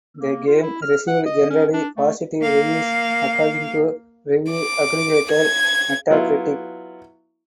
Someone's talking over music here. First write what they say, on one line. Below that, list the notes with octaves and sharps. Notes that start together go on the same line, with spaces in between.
The game received "generally positive reviews" according to review aggregator Metacritic.
A#3
F4
E4
F6
F#5
D#5
C#4
D4
A3
A#3 F5
D6
G#6
F#3 B3 E4 F4